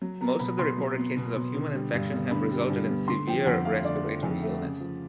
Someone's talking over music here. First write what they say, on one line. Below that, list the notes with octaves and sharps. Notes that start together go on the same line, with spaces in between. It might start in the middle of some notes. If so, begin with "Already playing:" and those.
Most of the reported cases of human infection have resulted in severe respiratory illness.
F#3
B3 A#5
B2 B5
B2 C6
F#3
B3
B2
B2
D3
G3
G2
B3
D3 B5
G3
G2
B3
D3 C6
F3 G5
F2 F#5
A3 F5
D3 D5
F3
F2
A3
C#3
F3